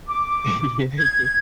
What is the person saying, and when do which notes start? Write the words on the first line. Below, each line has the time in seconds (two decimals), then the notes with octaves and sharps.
Yeah, yeah.
0.07 D6
0.98 G#6